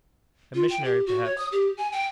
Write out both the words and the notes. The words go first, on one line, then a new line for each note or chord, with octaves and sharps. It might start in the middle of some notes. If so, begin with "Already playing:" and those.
"A missionary, perhaps."
F4
G5
G4
F#4
C#5
D#6
G4
G#5
G5